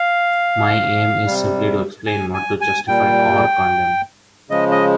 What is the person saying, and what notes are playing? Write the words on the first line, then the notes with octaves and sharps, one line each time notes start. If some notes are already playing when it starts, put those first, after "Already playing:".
My aim is simply to explain, not to justify or condemn.
Already playing: F5
C3 G3
G#5
G#5
G#5
A#2 G3 G5
C#3 F3 G#3 D#5
D#5